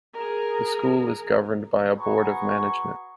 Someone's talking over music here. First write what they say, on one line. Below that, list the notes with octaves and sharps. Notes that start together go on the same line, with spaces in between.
The school is governed by a board of management.
G#4 A#4
F#4 G#4 B4 A#5 C#6